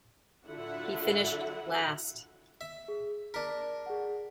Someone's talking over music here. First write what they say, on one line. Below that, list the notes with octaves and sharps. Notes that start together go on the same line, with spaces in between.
He finished last.
D3 F#3 E4 F4 E5 F#5
E5
G#4
D4 A#4 B6
G#4 F#5